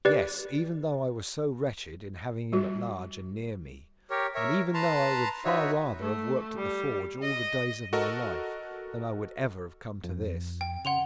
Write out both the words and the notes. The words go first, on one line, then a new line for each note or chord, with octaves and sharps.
Yes; even though I was so wretched in having him at large and near me, and even though I would far rather have worked at the forge all the days of my life than I would ever have come to this!
G4 B4 D5
G3 F#4
G4 A#4 C#5
A#4 C#5 E5
B4 A5 A#5 C6
D#4 F#4 B4 C#5 E5
A3
G3
D#5
F#4 A4 A#4 D#5
F2
G5
C#3 F#5 C6 F7